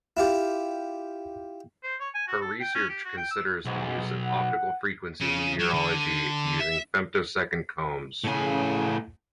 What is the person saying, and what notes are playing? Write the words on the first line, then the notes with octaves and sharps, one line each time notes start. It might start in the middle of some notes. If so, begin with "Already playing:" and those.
Her research considers the use of optical frequency metrology using femtosecond combs.
E4 F4 G4
C5
C#5
G#5
F#4
A4
G5
C#4
G4
F#4
G5
E6
B1 G#2
F#5
C#3
F#3
D3
E5
A2 C#3 G#5